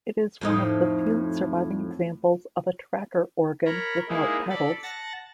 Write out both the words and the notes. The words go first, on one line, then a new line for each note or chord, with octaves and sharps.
It is one of the few surviving examples of a tracker organ without pedals.
F2 A2 D#4
A#4 C#5 A#5 B5
G#3 A#3 D#4 E4
A4 D5 B5 A6
F#5 A5 A6 A#6